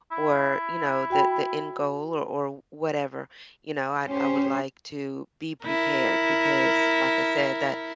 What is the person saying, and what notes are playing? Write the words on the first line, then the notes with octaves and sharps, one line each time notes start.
or, you know, the the end goal or or whatever, you know, I I would like to be prepared because, like I said, that
E4
F#4 G5 B5
C#4 G4 C5
E4 A#4